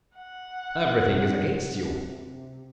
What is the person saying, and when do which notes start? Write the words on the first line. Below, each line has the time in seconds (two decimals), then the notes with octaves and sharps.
Everything is against you.
0.16 F#5
1.10 C3